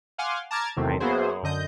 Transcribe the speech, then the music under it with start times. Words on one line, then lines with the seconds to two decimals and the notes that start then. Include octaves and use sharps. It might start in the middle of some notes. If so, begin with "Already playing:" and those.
I know.
0.18 F5 F#5 G#5 C6 D6 F6
0.51 A5 A#5 D6 F6 G#6 A6
0.77 E2 C3 D#3 F#3 A3 C4
1.00 A#3 B3 E4 F#4 G#4 C5
1.43 F#2 D3 D#5 G6